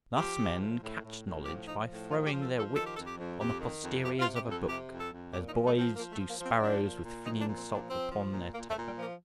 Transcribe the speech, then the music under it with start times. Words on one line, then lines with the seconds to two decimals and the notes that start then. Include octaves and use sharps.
Thus men catch knowledge by throwing their wit on the posteriors of a book, as boys do sparrows with flinging salt upon their tails.
0.17 F3 G4
0.38 F3
0.60 A2
0.81 A2
1.02 A2
1.24 A2
1.45 F3 G4
1.66 F3 D#4
1.88 A2
2.10 F3 F4
2.26 G4
2.31 F3
2.41 A4
2.52 F3 A4
2.74 D#3 A4
2.85 G4
2.95 F2 A4
3.06 G4
3.17 F2
3.38 F2 G4
3.60 D#3
3.81 F2
4.02 C3 G4
4.19 F4
4.24 C3
4.35 G4
4.46 F2 A4
4.67 C3 G4
4.89 F2
4.99 A4
5.10 F2
5.31 A#2 G4
5.48 D#4
5.53 F3
5.64 A3
5.75 F3 C4
5.96 F3 A#3
6.12 A3
6.17 F3
6.28 A#3
6.38 F3
6.44 C4
6.60 F3 D4
6.82 A#2
7.03 A#2
7.25 F3 D#4
7.41 D4
7.46 A#2
7.57 C4
7.68 F3
7.73 D4
7.89 F3 C4
8.11 F3
8.32 A#2
8.53 A#2 A#3
8.69 A3
8.75 A#2
8.86 G3
8.96 F3
9.02 A#3